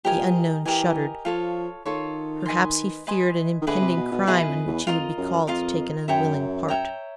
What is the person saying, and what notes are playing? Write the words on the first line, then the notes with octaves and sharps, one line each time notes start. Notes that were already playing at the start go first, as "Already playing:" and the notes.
The unknown shuddered; perhaps he feared an impending crime in which he would be called to take an unwilling part.
F3 G4 A#4 D#5 G#5
E3 G4 A#4 D#5 G#5
F3 F4 A4 C#5
D#3 F4 A4 C#5
B4 D#5 G#5 C6
B4 D#5 G#5 C6
D#3
D3 E4 G#4 B4 D#5
C3
B2
B2
B2 E4 G#4 B4 D#5
F2
E2
F2 F4 A#4 D#5
F#2
F2 F4 A#4 D#5
F#2 C#5 E5 G5 A#5
C#5 E5 G5 A#5